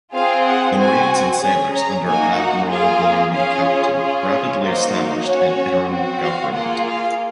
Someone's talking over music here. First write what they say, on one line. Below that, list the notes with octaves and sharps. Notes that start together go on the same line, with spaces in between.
The Marines and sailors under Admiral William B. Caperton rapidly reestablished an interim government.
C4 F4 G#4 F5
F#5
C4 F#4 G#5
C#4 G#4 G#5
A#5
A#3 D#4 F#4 G#5
F#5
A#3 F4 G#4 F5
C#4 F4 G#4 F5
C#4 F4 G#4
C#5
A#3 D#4 F#4 C5
C5
C#4 F#4 C#5
C4 F#4
F5
A#3 F4 G#4 F#5
F5